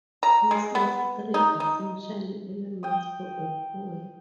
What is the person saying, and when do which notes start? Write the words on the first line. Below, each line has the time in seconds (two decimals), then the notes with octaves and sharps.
He sees three essential elements for a poet.
0.23 A#5
0.51 G#3
0.75 B3
1.34 D#4
1.60 D#4
2.83 G5 D#6